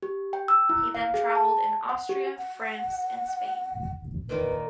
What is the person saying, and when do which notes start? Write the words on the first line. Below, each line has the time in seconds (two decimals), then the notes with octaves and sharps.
He then travelled in Austria, France and Spain.
0.02 G4
0.33 G5
0.48 E6
0.69 E4
0.94 F5
1.14 G#4
1.35 A5
1.89 F#5
2.09 G4
2.38 F#5
4.29 A#2 D#3 A#3 B4